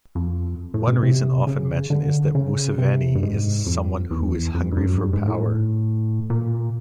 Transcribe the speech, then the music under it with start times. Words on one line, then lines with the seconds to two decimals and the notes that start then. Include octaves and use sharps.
One reason often mentioned is that Museveni is someone who is hungry for power.
0.15 F2
0.74 A2
0.87 B2
1.03 C3
1.47 C#3
1.90 D3
2.35 C#3
2.78 C3
3.15 G2
3.23 G#2
3.66 F2
4.11 E2
4.55 F2
4.72 G2
4.77 F#2
4.98 G2
5.13 G#2
5.28 A2
6.30 A#2